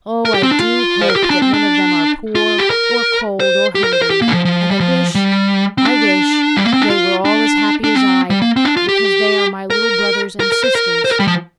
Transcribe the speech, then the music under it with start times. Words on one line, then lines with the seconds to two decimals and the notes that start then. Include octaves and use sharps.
Oh, I do hope that none of them are poor, or cold, or hungry; and I wish, I wish they were all as happy as I, because they are my little brothers and sisters.
0.25 A#4
0.34 G4
0.43 C4
0.51 D4
0.60 F4
1.01 C5
1.09 A#4
1.16 G4
1.23 F4
1.30 D4
1.42 C4
1.54 D4
2.35 F4
2.58 G4
2.70 A#4
3.40 C5
3.75 G4
3.84 A#4
3.93 C5
4.02 A#4
4.10 G4
4.22 A#3
4.28 D3
4.33 F3
4.45 F3
4.71 G3
4.80 F3
5.15 G3
5.78 C4
5.85 D4
6.57 G3
6.65 A#3
6.73 C4
6.82 D4
6.90 F4
7.25 D4
7.84 D4
7.95 C4
8.30 G3
8.42 A#3
8.56 C4
8.65 D4
8.77 F4
8.89 G4
9.70 A#4
10.40 A#4
10.52 A#4
10.64 C5
10.75 A#4
11.05 C5
11.10 A#4
11.20 G3
11.27 F3